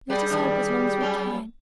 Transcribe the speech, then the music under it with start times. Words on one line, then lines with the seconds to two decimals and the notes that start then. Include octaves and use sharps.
'Let us hope as long as we can.
0.10 B2 G3 G#4 B4 D5
0.30 D#3 D4
1.01 F#3 B3 C#4